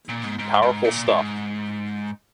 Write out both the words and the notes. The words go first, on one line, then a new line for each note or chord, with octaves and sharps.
Powerful stuff.
A#2
G#2
G#2
G#2
A#2
G#2